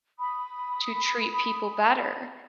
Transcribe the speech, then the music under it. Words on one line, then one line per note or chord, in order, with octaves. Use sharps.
to treat people better,
B5 D#6